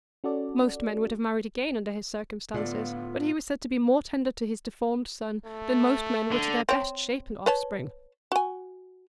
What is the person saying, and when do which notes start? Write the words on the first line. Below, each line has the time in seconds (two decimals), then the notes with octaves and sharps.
Most men would have married again under his circumstances, but he was said to be more tender to his deformed son than most men were to their best-shapen offspring.
0.24 C#4 F#4 A4 D5
2.54 A2 D3 B3 D4 F4 D5
5.46 A3
6.31 D3
6.69 C4 C#5
7.46 B4 C#5 A5
8.32 F#4 G#5